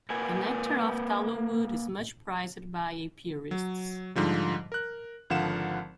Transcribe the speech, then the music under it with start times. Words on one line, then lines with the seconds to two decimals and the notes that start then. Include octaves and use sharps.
The nectar of tallowwood is much prized by apiarists.
0.10 A#3 A#4 B4 F#5 G#5
3.51 F#3
4.16 G#2 D3 F3 G3
4.72 A#4 F#6
5.30 G#1 D3 F3 F5 F#5 E7